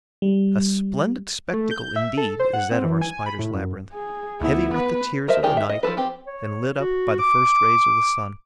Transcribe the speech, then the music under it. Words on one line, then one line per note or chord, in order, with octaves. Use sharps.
A splendid spectacle indeed is that of our Spider's labyrinth, heavy with the tears of the night and lit up by the first rays of the sun.
G3
A3
G6
E5
A4
C5
F#5
C4
E3
G#5
B5
A2
F#2
G#4
D2 B3 E4
B3 B4
A#4 C5 D#5 E5 A5
D#3 G4 G#4 D5
E5
D#5
F3 D#4 A4 B4
C4 G4
C#5
F#4
D6